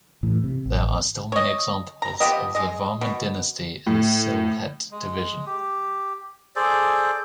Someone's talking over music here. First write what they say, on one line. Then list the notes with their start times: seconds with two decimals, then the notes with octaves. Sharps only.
There are still many examples of the Varman dynasty in Sylhet division.
0.23 A2 E3
0.44 C3
0.66 A1
1.32 C#5 D#5
2.02 A#5
2.20 F3 B3 G4 D#5
2.55 G#3 D#5
3.01 B2
3.86 A2
4.91 G#3
5.46 G4
6.56 G#4 A4 C5 D5